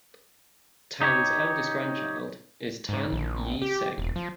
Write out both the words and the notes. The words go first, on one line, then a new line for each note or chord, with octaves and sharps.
Tan's eldest grandchild is Tan Yee Seng.
D#4 G4 C#5
G#2
A#1
G4
E1
F3